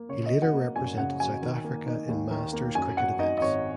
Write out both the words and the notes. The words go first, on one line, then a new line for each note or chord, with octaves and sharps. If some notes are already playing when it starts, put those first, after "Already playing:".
He later represented South Africa in Masters cricket events.
Already playing: A#3
C#3 C#5
D#5
F#3
F#5
A#3
F#2 G#5
C#3 F#5
F#3 G#5
D#3
A#3
D#4
D#2
D#3
A#3
F#2 G#5
F#3 F#5
D#4 D#5
D#5
G#1 C#5